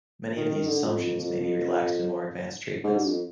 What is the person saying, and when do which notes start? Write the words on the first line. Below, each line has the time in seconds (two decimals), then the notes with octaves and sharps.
Many of these assumptions may be relaxed in more advanced treatments.
0.36 D#3
0.52 D#3
0.67 D3
0.82 F2
0.98 F2
1.19 F2
1.39 F2
2.84 G#2
2.95 G2
3.06 F2